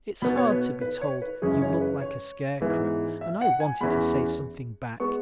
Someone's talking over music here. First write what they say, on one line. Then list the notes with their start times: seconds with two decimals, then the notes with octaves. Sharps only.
It's hard to be told you look like a scarecrow and I wanted to say something back.
0.22 B2 B3 B5
0.37 C#5
0.52 B4
0.81 B4
1.01 C#5
1.22 B4
1.42 F#2 C#3 E3 G#3 C#4 G#4
1.62 C#5
1.81 B4
2.01 C#5
2.61 G#2 E3 B3
3.21 E5
3.41 F#5
3.60 G#5
3.81 E2 E3 C#4 B5
5.00 G#3 B3 C#6